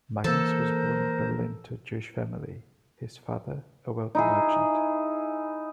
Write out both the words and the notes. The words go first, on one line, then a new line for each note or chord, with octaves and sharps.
Magnus was born in Berlin to a Jewish family, his father a wealthy merchant.
E3 A#3 A4 A#4 C5
D#4 E4 G#4